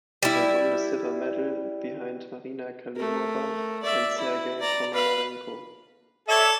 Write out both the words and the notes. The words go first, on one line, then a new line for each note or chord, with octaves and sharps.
They won the silver medal behind Marina Klimova and Sergei Ponomarenko.
G3 E4
A3 A#4
D5 E5
E4
D5 A#5
B4 F5
A4 C#5 D5 E5